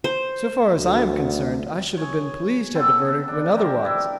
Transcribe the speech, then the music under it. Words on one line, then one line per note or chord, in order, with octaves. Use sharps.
So far as I am concerned I should have been pleased had the verdict been otherwise.
C5
D2
G#4 C#5
C#3 B3 C4 A4
D4
G4 A#4 C5
D4 E4